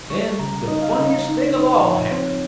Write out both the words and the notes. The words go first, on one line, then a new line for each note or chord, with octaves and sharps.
Then the funniest thing of all happened.
G3 C#6
C#3 A#5
D#4 D#5
F5
C#3 D#5
D#4
D#4
F3 C#5
C4 C5